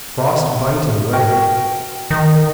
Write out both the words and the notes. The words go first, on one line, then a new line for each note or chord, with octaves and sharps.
Frostbiting weather!
F#4 A#4 G5
D#3